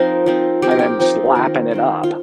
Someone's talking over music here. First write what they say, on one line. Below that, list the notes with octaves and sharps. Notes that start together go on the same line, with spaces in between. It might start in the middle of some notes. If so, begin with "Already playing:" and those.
I'm I'm just lapping it up.
Already playing: F3 C4 D#4 A#4
F3 C4 D#4
F3 C4 D#4 G4
A#4
G4
F3 C4 D#4
D#3 C4 F4 A#4
D#3 C4 F4
F4